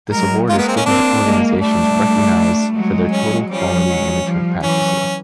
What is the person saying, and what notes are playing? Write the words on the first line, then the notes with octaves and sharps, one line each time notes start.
This award is given to organizations recognized for their total quality management practices.
F#3 G#3 A#4
G#3 A#3 F4
B3
C4
C#4
A#3 C4 D4
G#3 A#3
G3 A3 D4
F#3 G#3
C#4
F3 G3 C#4
F#3 G#3
F3 G3
E3 F#3 C#4